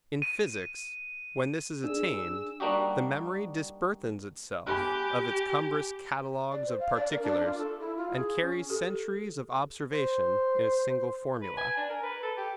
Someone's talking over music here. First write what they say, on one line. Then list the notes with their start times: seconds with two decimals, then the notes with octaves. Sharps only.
In physics, when this is attained, the memory disburthens itself of its cumbrous catalogues of particulars, and carries centuries of observation in a single formula.
0.22 D#7
1.84 D4 G#4 E6
2.60 G3 A#3 D4 D#4 F#4 G4
4.67 G4 G#5 B5 F#6
6.52 D5
6.66 C5
6.80 F5
6.95 D5
7.10 A#4
7.22 D4
7.45 F4
7.57 A4
7.80 E4
7.97 F4
8.11 G#4
8.41 C#4
8.70 G4 A4
9.92 C5
11.42 B4
11.57 G#5
11.77 D4
11.89 A#4
12.03 B4
12.23 A4
12.37 G4